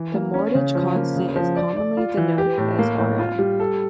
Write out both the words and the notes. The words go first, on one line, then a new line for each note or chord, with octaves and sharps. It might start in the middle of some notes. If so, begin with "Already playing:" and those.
The mortgage constant is commonly denoted as Rm.
Already playing: E3
A#3
C#4
C#3
F3
A#3
C#3
F3
D5
D5
F4
E3
G4
A2
A#3
A2
F4
G3
A4